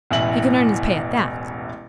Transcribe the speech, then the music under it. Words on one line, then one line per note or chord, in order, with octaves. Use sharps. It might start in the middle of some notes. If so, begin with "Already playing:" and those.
He could earn his pay at that.
E1 A1 E3 E4 F#7